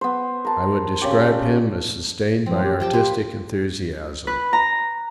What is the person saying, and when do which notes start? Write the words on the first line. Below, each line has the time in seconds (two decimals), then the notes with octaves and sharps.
I would describe him as sustained by artistic enthusiasm.
0.01 B3 C5
0.45 A#4 A5
1.02 C#3 C#4 G4
2.46 F3 C4
2.64 G4
2.80 F3 G4 G5 A5
2.93 F4 B4
4.27 B4
4.53 A#5